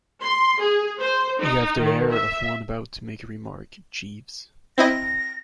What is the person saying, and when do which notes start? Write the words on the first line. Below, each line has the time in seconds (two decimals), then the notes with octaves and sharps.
You have the air of one about to make a remark, Jeeves.
0.21 C6
0.59 G#4
1.00 C5
1.40 D#4
1.78 D#3
2.09 E5
4.78 C4 E4 D#5 A#6